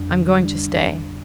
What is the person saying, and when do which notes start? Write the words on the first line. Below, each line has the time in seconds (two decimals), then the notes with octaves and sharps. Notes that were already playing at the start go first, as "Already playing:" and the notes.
"I'm going to stay."
Already playing: F2 G3 D4
0.10 D3
0.28 G3
0.45 D4